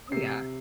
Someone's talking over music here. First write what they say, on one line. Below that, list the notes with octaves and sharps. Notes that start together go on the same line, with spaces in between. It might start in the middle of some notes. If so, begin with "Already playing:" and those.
Oh yeah.
C3 C7